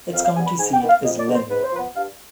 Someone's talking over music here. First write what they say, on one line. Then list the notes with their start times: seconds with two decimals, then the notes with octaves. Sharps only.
Its county seat is Linn.
0.13 F2 F5
0.24 F5
0.36 C3 G3 B3 G#5
0.47 B5
0.58 G#2 G#5
0.73 G5
0.81 D#3 B3
0.88 F5
1.04 F2 D#5
1.19 D5
1.27 D3 G#3 B3
1.34 C5
1.49 G#2 B4
1.63 C5
1.72 F3 B3 B4
1.95 G2 F5